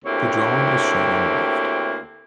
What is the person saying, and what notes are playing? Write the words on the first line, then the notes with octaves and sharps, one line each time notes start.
The drawing is shown on the left.
D2 A#3 C4 E4 G4 C#5